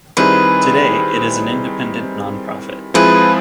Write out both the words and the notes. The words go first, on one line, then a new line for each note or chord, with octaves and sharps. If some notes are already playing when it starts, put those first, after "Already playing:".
Today, it is an independent non-profit.
D#3 G3 C4 E4 G#4 B4
F3 G#3 C4 E4 G#4 B4